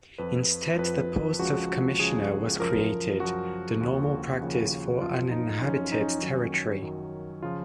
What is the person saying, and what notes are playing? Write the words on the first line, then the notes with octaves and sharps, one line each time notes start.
Instead the post of Commissioner was created, the normal practice for uninhabited territory.
F2 F3 B4
F2 F3 B4
C#2 C#3 F3 F#4
F#4
C#2 C#3 F3 G#4
F#2 F3 A#4
F#2 F3 F#4
D#2 C#3 F3
D#2 C#3 F3
F#2 F3 F4
D#4
F#2 F3 C#4
D#4
C#4
F#2 D#3 F#3 C#4
F#2 D#3 F#3
C#3 F3 F4